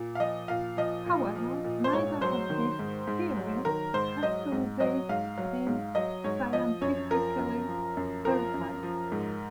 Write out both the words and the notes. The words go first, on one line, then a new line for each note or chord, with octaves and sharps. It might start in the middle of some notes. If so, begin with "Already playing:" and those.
However, neither of these theories has to date been scientifically verified.
Already playing: A#2
F5
F3 D#5
A#2 F5
F3 D#5
A#2
F3
A#2
C5
G#2 C#5
F#3 C5
D#3
G#2
G#2
F#3
D#3 A#4
G#2 C5
F#3 D#5
G#2
F#3 D#5
G#2 F5
F#3
G#2
F#3 D#5
G#2 C#5
F3 D#5
F#2 C#5
F3 A#4
F#2
F3
F#2
F3 A#4
F#2
F3
G#2